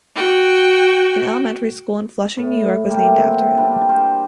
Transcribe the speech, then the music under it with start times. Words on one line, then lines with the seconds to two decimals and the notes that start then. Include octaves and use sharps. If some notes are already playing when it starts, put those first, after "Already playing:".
An elementary school in Flushing, New York was named after him.
0.15 F#4 G5
2.37 A2
2.89 G3 A3 A#3 G4
3.15 C3 E3 F#3 C4
3.57 G3 D4 G4 B4
3.89 A#4 C5 D5